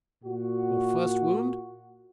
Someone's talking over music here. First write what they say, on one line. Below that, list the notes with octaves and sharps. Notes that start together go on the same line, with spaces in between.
"Your first wound?"
A#2 F#4